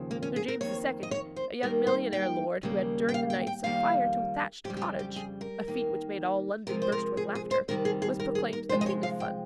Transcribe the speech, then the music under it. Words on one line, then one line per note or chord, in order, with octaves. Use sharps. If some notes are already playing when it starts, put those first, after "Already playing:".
Under James II. a young millionaire lord who had during the night set fire to a thatched cottage--a feat which made all London burst with laughter--was proclaimed the King of Fun.
Already playing: D#2 C#3 F3
A#3
C#4
G#4
A#4
F2 D#3 A#3 C#5
D#5
C#5
C5
D#2 D#3 G3 A#3 A#4
C5
G5
D#2 C#3 G3 A#3
G5
F5
G5
G5
F2 D#3 G3 A#3 F5
F2 C#3 G3 G4
G4
F4
G4
G#4
A#4
D#2 D#3 A#3
C3 F3 G#3 A#4
C5
A#4
G#4
G#4
C5
C3 D#3 G3 A#4
G#4
G#4
A#4
G#4
A#4
C3 F3 G#3 C5
D#5
C#5
F5
G5